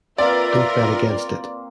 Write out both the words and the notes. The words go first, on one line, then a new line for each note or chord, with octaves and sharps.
Don't bet against it.
A#3 C4 F4 A#4 B4 D5 E5